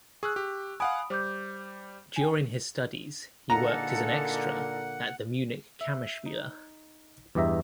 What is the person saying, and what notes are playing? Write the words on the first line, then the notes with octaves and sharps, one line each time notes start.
During his studies, he worked as an extra at the Munich Kammerspiele.
G#4 C#6 E6 F#6
G4
F5 F#5 G#5 B5 D#6 D7
G3 C5 D6 G6
G5 G#5
A#2 D3 A#3 D#4 G#4 A4 F#5 A#5
E5
D#4
E2 G2 G4 D#5 E5 A#5